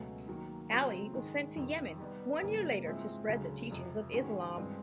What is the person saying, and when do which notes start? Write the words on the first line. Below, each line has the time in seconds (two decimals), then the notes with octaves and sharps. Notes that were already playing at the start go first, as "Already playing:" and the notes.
Ali was sent to Yemen one year later to spread the teachings of Islam.
Already playing: C#2 B2 F#3 A3 C#4
0.28 D#3 F#3 A#3
0.71 C#3 F#3 A3 C4 F4
1.14 G#2 D#3 G#3
1.57 F2 C3 D#3
1.99 G3 B3 D#4 G4
2.42 F#2 C#3 E3 G3 A#3
2.84 G#2 F3 G#3 C4 E4
3.27 D2 C#3 F#3
3.70 F2 C3 F3
4.13 G#2 D#3 G#3 C#4 F#4
4.56 G2 E3 G#3 C4